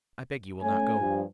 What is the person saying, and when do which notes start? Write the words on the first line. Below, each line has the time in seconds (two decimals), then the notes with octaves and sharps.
I beg you will not go.
0.62 A3 C#4 G#5
0.98 G2 F3